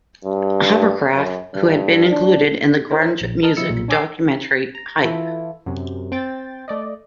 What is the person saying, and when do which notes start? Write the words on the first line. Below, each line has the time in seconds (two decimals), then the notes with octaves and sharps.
Hovercraft, who had been included in the grunge music documentary Hype!
0.25 G2
1.14 F#2
1.54 G2
2.10 D4
2.91 D#4 E4 A#4 C5 C#5
3.21 A#1
3.43 A#4 B4 D#5 A5 F6
3.57 F3 E4 D#5 E6 C#7
3.70 B1 A#2
3.88 D4 C#5 G#5 D6 E6 C7
4.75 A#5
5.00 E3 E4 F4 A4
5.66 F#2 C3
6.12 C4 G5 A6
6.68 A3 D5 D#5